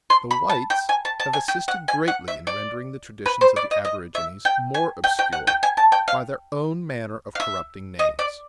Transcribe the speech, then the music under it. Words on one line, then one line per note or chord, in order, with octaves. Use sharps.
The whites have assisted greatly in rendering the traditions of the Aborigines more obscure by their own manner of corrupting names.
C6
B5
A5
G5
G#5
A5
A5
G#5
G5
F#5
G#5
F#5
E5
D5
B4
C5
D5
D#5
D#5
E5
G5
G#5
G5
G5
F#5
G5
G#5
A5
G5
F5
F5
E5
D#5
D5